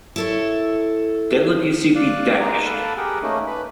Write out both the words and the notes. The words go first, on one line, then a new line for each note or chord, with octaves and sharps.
Delicacy be dashed.
E4 A4 C#5
D5 F5 F#6
G#3 A#3 D#4 A#5
A4 F5 F#5 A5 B5
G4 G#4 A#4 F#5 G5
A3 A#3 C#4 D#4
B4 B5